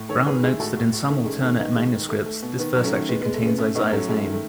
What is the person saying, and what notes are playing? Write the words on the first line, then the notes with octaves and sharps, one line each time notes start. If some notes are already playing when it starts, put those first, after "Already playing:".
Brown notes that in some alternate manuscripts this verse actually contains Isaiah's name.
Already playing: A2
D#3 A4 C#5
D#3 G#4 B4
G#3 E4 G#4
A2 F#4 A4
A2
A2
D#3 A3 C#4
G#3 A3 C#4
D#3 A3 C#4
D#3 B3 D#4
G#3
D#3
A3
A3
B2
D#3 B3
F#3
A3 C#4
D#3
G#3 B3
G#3 B3
A3
C#3 B3
A3 C#4
A2 B3 D#4
F#3 A3 C#4
G#3 A3 C#4
D#3
A3